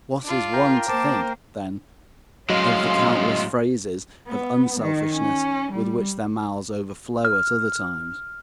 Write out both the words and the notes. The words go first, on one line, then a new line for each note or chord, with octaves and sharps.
What is one to think, then, of the countless phrases of unselfishness with which their mouths overflow at other times?
D4 F4
A#4 G5
A#3 C5 A5 D6
A2 F#3 G#3 C#4 D#5 F5 C6
B3
D#3
C#4
G3
F6